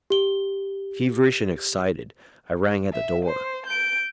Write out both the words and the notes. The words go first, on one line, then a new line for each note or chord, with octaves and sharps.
Feverish and excited, I rang at the door.
G4 G7
E5
C5
G6 D7